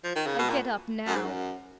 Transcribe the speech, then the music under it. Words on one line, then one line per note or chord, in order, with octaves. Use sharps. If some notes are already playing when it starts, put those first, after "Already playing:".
I get up now!
F3
D#3
C#3
B2
A#2
F#2
G#2
F#2